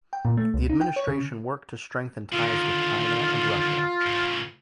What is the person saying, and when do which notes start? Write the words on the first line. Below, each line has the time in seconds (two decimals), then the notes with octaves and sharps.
The administration worked to strengthen ties with China and Russia.
0.13 G5
0.25 A#2
0.37 A3
0.54 C#2
0.70 D#4
0.81 G5
0.96 C#5
1.08 C#3
2.34 D3 D#3 F4
4.07 A2 C#3